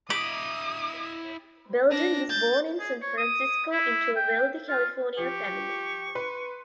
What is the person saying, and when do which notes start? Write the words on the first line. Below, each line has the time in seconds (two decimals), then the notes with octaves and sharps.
Belden was born in San Francisco into a wealthy California family.
0.10 E4 D#5 D6 D#6 B6 F#7
1.91 D4 A#6
2.29 G6 A6
2.79 G#4
3.01 C#5
3.18 D#6
3.71 E4
4.16 G5
4.68 F4
5.18 F3 G4 C#6
6.15 B4 C6